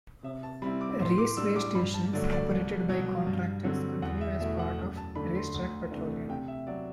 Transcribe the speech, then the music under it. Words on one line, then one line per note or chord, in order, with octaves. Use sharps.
RaceWay stations, operated by contractors, continue as a part of RaceTrac Petroleum.
C3 E5
A5
G3 C4 E4 B5
D6
A2 C6
C6
D6
G3 D4 E6
D6
G2 B5
A5
D3 F#3 A3 D5
D5
C2
B2 F#3
G2
D3 F#3 C4
E2 F#5
E5
B2 A3 E4 E5
F#5
F#2
A5
D3 A3 D4 B5
C6
D2
C3 E3 A3 D4
C3 G5
E5
F#3 B3 D5